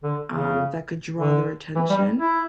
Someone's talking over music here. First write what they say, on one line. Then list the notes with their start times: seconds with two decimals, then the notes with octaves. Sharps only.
um, that could draw their attention.
0.03 D3
0.32 C#3
1.19 D3
1.76 E3
1.90 G3
2.20 E4